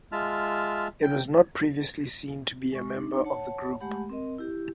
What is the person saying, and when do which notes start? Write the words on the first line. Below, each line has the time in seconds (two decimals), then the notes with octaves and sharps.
It was not previously seen to be a member of the group.
0.12 G#3 F4 E5 A5 F6
1.03 G5
2.72 G#3 C#6
2.96 D4 D#4
3.24 C#5 F#5 A5
3.80 G#3 A3 G4 F#5 B5
4.10 C4 A#4 D#5
4.38 E4 G4